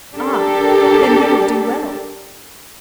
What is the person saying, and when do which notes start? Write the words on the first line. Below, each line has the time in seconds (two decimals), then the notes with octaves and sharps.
"Ah! then he will do well."
0.15 D4 G4 A4 A#4